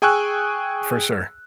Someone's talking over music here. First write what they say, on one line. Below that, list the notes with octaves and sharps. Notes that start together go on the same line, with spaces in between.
For sure.
G#4 G5 G#5 C#6 E6 F#6